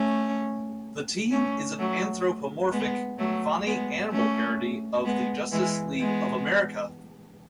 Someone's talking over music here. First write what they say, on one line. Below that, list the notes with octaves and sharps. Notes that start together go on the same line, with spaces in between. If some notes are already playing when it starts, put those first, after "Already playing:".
The team is an anthropomorphic funny animal parody of the Justice League of America.
Already playing: A3 C#4
A3 C#4
F#3 A3
G#3 B3
F#3 A3
G#3 B3
A3 C#4
G#3 B3
E3 G#3
G#3 B3